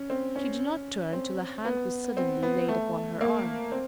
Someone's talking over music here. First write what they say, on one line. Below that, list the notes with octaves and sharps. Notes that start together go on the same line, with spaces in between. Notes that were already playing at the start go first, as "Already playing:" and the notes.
She did not turn till a hand was suddenly laid upon her arm.
Already playing: C#4
C4
C#4
C4
B3
C4
B3
A3
A#3
C4